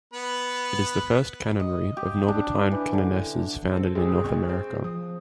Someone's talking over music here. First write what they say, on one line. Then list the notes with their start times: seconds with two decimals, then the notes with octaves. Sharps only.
It is the first canonry of Norbertine canonesses founded in North America.
0.13 B3 B4
1.60 D#5
1.97 G4
2.28 D4
2.72 E3
2.93 D3
3.71 C4 A4
3.95 B1 C4 G4 G#4
4.24 D2 D#5 C#6
4.49 C4
4.84 F3 D#6